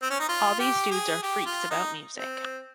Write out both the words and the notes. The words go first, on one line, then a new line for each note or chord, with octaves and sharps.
All these dudes are freaks about music.
C4
C#4
D#4
F4
G4
G#4
G4
F4
D#4
C4